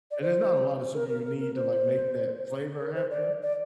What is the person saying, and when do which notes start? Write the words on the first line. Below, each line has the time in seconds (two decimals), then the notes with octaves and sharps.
and it's not a lot of sugar you need to like make that flavor happen,
0.11 D5
0.21 C5
0.93 A#4
1.09 A#4
1.25 A#4
1.40 A#4
1.55 C5
2.80 A#4
2.95 C5
3.11 D5
3.42 D5